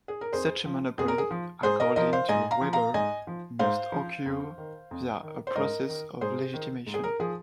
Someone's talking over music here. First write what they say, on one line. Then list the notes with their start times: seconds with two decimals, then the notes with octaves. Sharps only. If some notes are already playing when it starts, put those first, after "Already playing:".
Such a monopoly, according to Weber, must occur via a process of legitimation.
0.08 G#4
0.21 A#4
0.33 F2 G#4 C5
0.65 F3
0.98 F2 G#4
1.08 A#4
1.18 G#4
1.31 F3
1.63 G#2 G#4 C5
1.80 A#4 D#5
1.96 F3 A#4 D#5
2.13 C5 F5
2.29 G#2 D#5 G#5
2.51 F5 A#5
2.61 F3
2.73 F5 A#5
2.94 G#2 D#5 G#5
3.27 F3
3.59 G#2 C5 F5
3.92 F3
4.26 F2
4.58 D#3
4.91 F2
5.23 D#3
5.47 C5
5.55 G#2 A#4 D#5
5.89 D#3
6.21 G#2 G#4 C5
6.54 D#3
6.87 G#2
6.94 G#4
7.04 A#4
7.20 F3 G#4